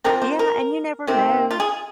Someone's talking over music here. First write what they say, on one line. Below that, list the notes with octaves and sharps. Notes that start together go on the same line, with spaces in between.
Yeah, and you never know
F3 G#3 C4 A#4
C5
A#4
C3 D#3 C4
F4
G#4